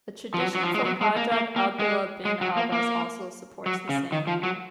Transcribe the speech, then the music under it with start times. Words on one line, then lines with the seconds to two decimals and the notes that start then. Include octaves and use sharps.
A tradition from Hadrat 'Abdullah bin 'Abbas also supports the same view.
0.34 F3
0.39 F#3
0.55 F#3
0.63 F3
0.75 G#3
0.85 F#3
1.01 G#3
1.16 A#3
1.32 A#3
1.56 A#3
1.79 G#3
2.25 G#3
2.41 F#3
2.57 A#3
2.72 A#3
3.66 F#3
3.89 C#3
4.12 D#3
4.27 F3
4.43 F#3